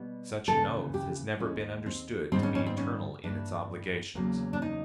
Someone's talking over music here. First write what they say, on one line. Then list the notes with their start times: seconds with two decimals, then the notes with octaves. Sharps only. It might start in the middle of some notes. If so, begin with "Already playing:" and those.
Such an oath has never been understood to be eternal in its obligations.
Already playing: B2 G3 B3
0.48 D#2 C#3 E3 A4
0.94 G4
1.39 D#2 D#3 G#3 C#4
1.86 C4
2.32 G#2 D#3 G3 B3 C4
2.43 C#4
2.55 C#4
2.66 C4
2.77 C#4
3.24 G2 E3 G3 A#3 D4
4.15 E2 C#3 F#3 A#3
4.53 D4
4.62 D#4